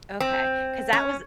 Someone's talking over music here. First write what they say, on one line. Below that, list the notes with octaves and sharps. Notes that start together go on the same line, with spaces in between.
Okay, 'cause that was
C4
C#4